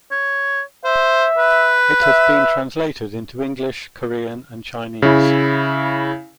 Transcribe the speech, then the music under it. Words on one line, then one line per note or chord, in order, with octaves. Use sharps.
It has been translated into English, Korean, and Chinese.
C#5
C5 E5
B4
E5
C#3 E4